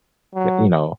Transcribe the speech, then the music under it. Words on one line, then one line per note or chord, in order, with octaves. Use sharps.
eh, you know?
F#3